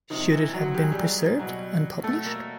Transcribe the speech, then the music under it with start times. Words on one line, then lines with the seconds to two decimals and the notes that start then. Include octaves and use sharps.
Should it have been preserved and published?
0.10 C3 D#3 F3 D#4
0.32 E3 E4
0.54 F#3 F#4
0.74 G4
0.83 G#4
0.92 G3 G4
1.39 B2 F#3
2.04 A3 A4
2.26 A#3 A#4